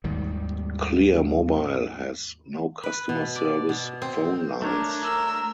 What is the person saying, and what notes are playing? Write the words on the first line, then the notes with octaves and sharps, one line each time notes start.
Clear Mobile has no customer service phone lines.
D#2 G#2 D#3 G3
B4
B2
D5
B2
C4
A3 D4 A#4 C#5
A#4 E6